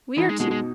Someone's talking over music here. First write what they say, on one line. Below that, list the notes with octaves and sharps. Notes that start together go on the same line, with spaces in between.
We are two.
E3 D#4
G#3
B2 G#3
G#3